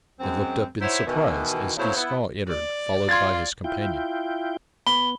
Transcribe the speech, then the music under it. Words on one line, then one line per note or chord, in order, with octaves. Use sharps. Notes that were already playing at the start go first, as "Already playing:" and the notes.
They looked up in surprise as Giscon entered followed by his companion.
F#2 G#3 C4
D#4 E4 F#4 C5 C#5 E5
B2 D#3 E3
E2 A2 C#3 F#3 E4 C5
B3 E4
D5
F4 C6 G#6 A6
E4 F4 G5
B3 B5 G7